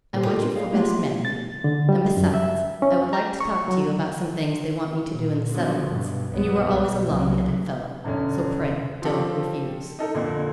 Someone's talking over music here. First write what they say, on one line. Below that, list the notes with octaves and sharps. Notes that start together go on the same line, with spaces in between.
I want you for best man, maybe; and besides, I would like to talk to you about some things they want me to do in the settlements, and you were always a long-headed fellow: so pray don't refuse.
A#2 D3 D4 G4 C5
F4 G4 A4 A#4 D#5
D4
G#4 D#5 F5
G#3 A#3 E4 F4 G4
A6
D3
G3
F#2
E5
C#4
A#5
C#6
F#3
A#2
D3 F3 F#3 B3
G2 B2
B1 F#3 B3
B1
C2 F#3 A#3
E1 F#2 D3 C#4
F3 C4 G4 A4
D#4 A4 A#4
F2 A#2 D3